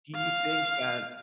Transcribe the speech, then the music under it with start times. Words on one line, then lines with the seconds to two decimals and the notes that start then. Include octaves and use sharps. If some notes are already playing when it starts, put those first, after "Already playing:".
do you think that
0.15 F5